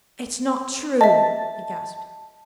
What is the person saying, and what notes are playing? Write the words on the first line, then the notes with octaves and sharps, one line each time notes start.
"It's not true!" he gasped.
D#5 E5 A5